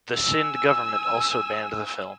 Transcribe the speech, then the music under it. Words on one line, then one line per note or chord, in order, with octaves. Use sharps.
The Sindh government also banned the film.
G#5 E6